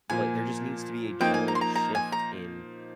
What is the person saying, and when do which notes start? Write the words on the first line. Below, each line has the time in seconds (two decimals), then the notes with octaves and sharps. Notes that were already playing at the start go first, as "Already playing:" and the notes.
but there just needs to be a general shift in
0.10 A#2 F3 A#3 G#5
1.20 F3 A#3 D#4 G5
1.34 G#5
1.48 A#5
1.55 C6
1.61 A#5
1.75 A#5
1.95 G#5
2.12 A#5